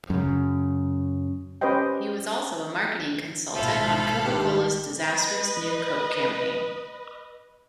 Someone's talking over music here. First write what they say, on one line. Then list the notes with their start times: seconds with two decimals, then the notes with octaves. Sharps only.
He was also a marketing consultant on Coca-Cola's disastrous New Coke campaign.
0.10 F#2 C#3
1.61 C#4 G4 B4 C5 D#5 G5
3.55 G#1 B2 F3 A4 E5 F5 B5
4.25 G2 D#3 G4
5.01 B4 D#5